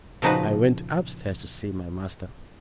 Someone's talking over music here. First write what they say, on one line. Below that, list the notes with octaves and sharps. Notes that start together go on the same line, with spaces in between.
I went upstairs to see my master.
A#2 C#3 F3 D#4 F#4 B4